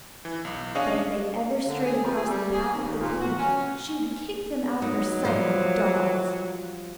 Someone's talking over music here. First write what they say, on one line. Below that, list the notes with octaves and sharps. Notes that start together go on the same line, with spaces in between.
But if they ever strayed across the path of the queen, she would kick them out of her sight like dogs.
E3
B1
C#4 D4 G#4 C#5 D#5 F5
D3
G#4
F2
G#4
G3
G#4
D#2
A#2
F#4
C#4
F#3 D#4
F3 G3 C5